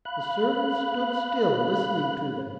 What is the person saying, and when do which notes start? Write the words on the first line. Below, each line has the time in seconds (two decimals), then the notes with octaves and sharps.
The servant stood still listening to them.
0.05 F5 B5 F#6